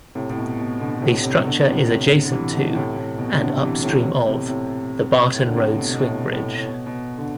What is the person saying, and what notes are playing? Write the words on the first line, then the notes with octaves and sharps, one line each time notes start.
The structure is adjacent to, and upstream of, the Barton Road Swing Bridge.
A2 C3
A2
B2
B2
B2 D3
D3
A2 C3
A2 C3
C3
B2 D3
A2 C3
A2
D3
C3 E3
B2 D3
A2 C3
A2
B2
D3
A2 C3
C3 E3
A2 C3
A2
B2
A2 C3
A2 C3
A2
D3
A2 C3
B2
B2
A2
A2
A2
B2
B2
D3